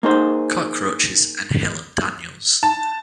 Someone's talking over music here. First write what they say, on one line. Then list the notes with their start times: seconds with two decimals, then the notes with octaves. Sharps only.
Cockroaches and Helen Daniels.
0.03 A#3 D#4 G#4 C5
2.63 A5